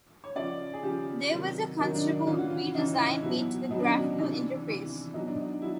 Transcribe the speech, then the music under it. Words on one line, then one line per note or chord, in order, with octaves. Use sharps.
There was a considerable re-design made to the graphical interface.
C#5
C#3 F3 D5
G#4
C#3 F3 G4
C3 D#3 F#3
C3 D#3 F#3 D#4
D4
D4
C#3 E3 F4
F#4
F4
C#3 E3 D#4
E4
B2 F#3 E4
B2 F#3 D#4
D4
C#4
D4
C3 E3
C3 E3
B2 F#3 D#4
D4
D#4
F#3 E4